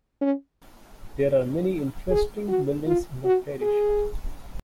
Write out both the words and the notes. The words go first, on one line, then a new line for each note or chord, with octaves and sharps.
There are many interesting buildings in the parish.
C#4
G#4
F#4
F4
F#4
G#4